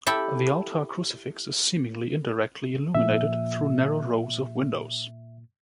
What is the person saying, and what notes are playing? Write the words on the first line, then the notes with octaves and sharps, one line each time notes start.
The altar crucifix is seemingly indirectly illuminated through narrow rows of windows.
E4 G4 A4
A#2 F3 E5